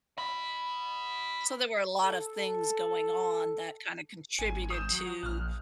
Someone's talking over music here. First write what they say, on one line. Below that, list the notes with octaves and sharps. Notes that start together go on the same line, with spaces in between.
So, there were a lot of things going on that kinda contributed to
D#5 B5
A4
A4
G#1 G#5
D#6 G6 E7
F#3
A#1 F6 F#6